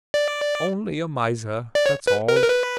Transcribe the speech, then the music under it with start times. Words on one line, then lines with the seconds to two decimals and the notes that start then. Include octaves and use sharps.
Only a miser; that's all.'
0.14 D5
1.75 D5
1.86 C#5
2.07 B4
2.28 A#4
2.36 B4
2.43 A#4
2.50 B4